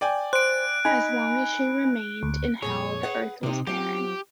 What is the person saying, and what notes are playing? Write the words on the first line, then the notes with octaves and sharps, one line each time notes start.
As long as she remained in hell, the earth was barren.
D5 G5 G#5
C5 F#6 D7
D#4 G#5 B5
D2
F2 A#2 G#4 C#5
G#4 B4 F#5
C3 C4 D#4
F#3 C4 F4 G4